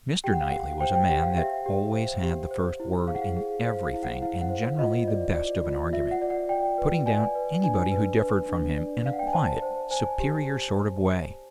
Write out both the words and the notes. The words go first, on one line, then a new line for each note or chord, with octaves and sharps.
Mr. Knightley was a man that always had the first word in everything, and generally the best of an argument--putting down anybody who differed from him in a quiet, superior sort of way.
G4 G5
F#5
F5
G4 F#5
C5 G5
G5
G4 F#5
F5
G4 E5
G4
C5
G4
C5
E4
G#4 F5
F#5
F5
G#4
C5 F5
F5
E4
F#5
E4 F5
F#5
C5
F5
F4 D#5
D5
D5
F4
F4 E5
F#5
D5
F#5
D5 G5
B4
D5 G#5
B4
D4 G#5
B4
B4
D4
D5
D5 F5
F#5
G5
G#5
C5 A5
C5
C5 G#5
G4